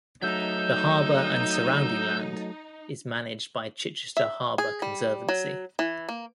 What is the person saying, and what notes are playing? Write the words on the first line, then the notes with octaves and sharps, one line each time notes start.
The harbour and surrounding land is managed by Chichester Harbour Conservancy.
F#3 A3 D#4 E6 G6
E5
G#4
G3
F#3
E3
A#3